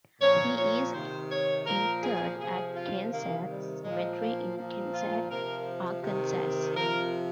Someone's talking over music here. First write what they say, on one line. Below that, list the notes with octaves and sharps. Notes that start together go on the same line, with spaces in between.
He is interred at Kensett Cemetery in Kensett, Arkansas.
A#2 F3 C#5
C#5
C3 D#3 C5
C#5
A#2 F3 A#4
G#4
C3 F3 G#4
F4
C3 D#3 A#3
G3
A#2 F3 G#3
A#3
A#2 F3
F4
C3 F3 A#4
C3 D#3
C3 F3 A#4